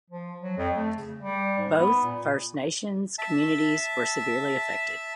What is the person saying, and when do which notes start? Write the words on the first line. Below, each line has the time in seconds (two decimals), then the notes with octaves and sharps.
Both First Nations communities were severely affected.
0.10 F3
0.42 F#3
0.57 F2
0.75 A3
0.98 C#3
1.17 G3
1.58 G#2
1.76 B3
2.03 A#2
3.18 E5 A5